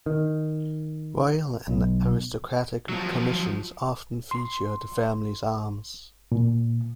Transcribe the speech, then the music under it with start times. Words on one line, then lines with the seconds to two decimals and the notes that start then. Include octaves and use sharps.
Royal and aristocratic commissions often feature the family's arms.
0.06 D#3
1.68 B1
2.89 F3 F#3
4.31 C6
6.32 A#2